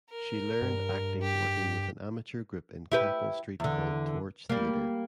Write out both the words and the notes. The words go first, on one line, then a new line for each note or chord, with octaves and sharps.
She learned acting working with an amateur group in Capel Street called Torch Theatre.
A#4
G2
G4
E4 G4 B4
E2 D3
G3 A#3